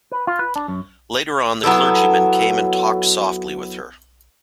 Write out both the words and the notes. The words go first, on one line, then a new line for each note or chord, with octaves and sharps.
Later on the clergyman came and talked softly with her.
B4
F4
B4
D4
F#2
F#3 B3 E4 A4